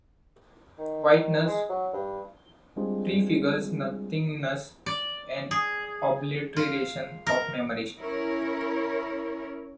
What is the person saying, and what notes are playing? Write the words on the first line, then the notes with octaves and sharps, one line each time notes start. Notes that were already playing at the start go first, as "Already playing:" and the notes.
Whiteness prefigures nothingness and obliteration of memory.
D#3
G#3
F#3
G2
G3 G#3 C4 D4 F4 G#4
D5
G#4
F4
A#4
C#4 E4 A#4 C#5